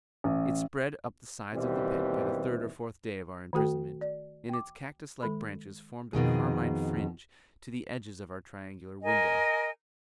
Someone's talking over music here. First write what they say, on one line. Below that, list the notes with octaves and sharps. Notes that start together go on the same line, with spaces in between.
It spread up the sides of the pit by the third or fourth day of our imprisonment, and its cactus-like branches formed a carmine fringe to the edges of our triangular window.
A1
D#2 B2 E3 G3 C4
D#3 A3 F#4 A4 G5
D5
G5 D6
D#3 G#3 A4 B5
F2 B2 D#3 G#4
A#4 D#5 G#5